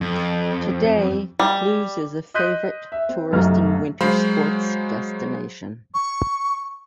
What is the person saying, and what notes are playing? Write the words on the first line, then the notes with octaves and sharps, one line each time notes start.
Today, Cluses is a favorite tourist and winter sports destination.
F2
G3
D#5 C6 F#6 G6 B6 D#7
E5
C4
F#1 B1 F#2 C3 A3 F6
F#3 G#3 C5 F5 B5
C#6